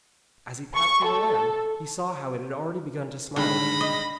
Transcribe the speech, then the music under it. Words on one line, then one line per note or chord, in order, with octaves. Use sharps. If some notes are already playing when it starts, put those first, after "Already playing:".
As he passed through the land, he saw how it had already begun to smile again.
C#6
A4
D3 D#3 G3 G#3 B5 A#6
D#5